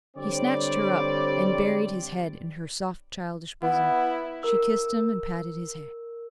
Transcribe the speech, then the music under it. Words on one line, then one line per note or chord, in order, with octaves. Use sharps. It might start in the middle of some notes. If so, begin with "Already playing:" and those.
He snatched her up, and buried his head in her soft, childish bosom. She kissed him and patted his hair.
D3 G3 C4 C#5 D5
B3 E4
A#4 E6